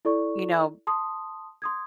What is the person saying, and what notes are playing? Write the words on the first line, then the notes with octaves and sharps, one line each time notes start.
you know,
E4 A4 D5 C#6
A5 C6 D#6
C6 D#6 G#6